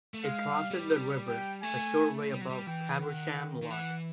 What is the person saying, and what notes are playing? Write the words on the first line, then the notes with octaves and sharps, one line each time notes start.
It crosses the river a short way above Caversham Lock.
A3
G#3 F5
G3
G3
G5
A3 G#5
G3
F#3
G3
E3 G5
D#3 F#5
D#3
E3 F#5